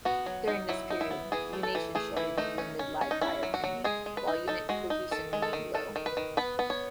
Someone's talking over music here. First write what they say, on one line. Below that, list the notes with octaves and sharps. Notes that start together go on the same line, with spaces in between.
During this period, munition shortages limited live fire training, while unit cohesion remained low.
B3 F#4
F#3
D#4
F#3 E4
D#4
E4
B3
E3 G#4
A3
A4
E3
A3 G#4
E3 E4
A3 D#4
C#4
C#4
C#4
D#4
C#4 E4
F#3
F#4
F#3
G#3 G#4
G#3
B4
D#4
D#4 A4
G#3 F#4
D#4
D#3 A4
G#3
A4
D#3
D#3 A4
D#3
B4
D#3
B3 B4
B3
C#5